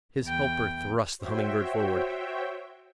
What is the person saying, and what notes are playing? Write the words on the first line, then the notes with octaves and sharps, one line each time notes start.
His helper thrust the Humming-Bird forward.
E2 G5
F#4 C5 C#5 E5 G5